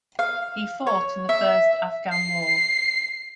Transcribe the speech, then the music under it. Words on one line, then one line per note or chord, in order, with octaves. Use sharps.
He fought in the First Afghan War.
F5
C#5
E5
C7